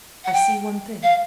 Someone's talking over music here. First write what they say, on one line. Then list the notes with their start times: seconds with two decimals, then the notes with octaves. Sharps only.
"I see one thing."
0.25 F#5
0.33 G5
1.03 F5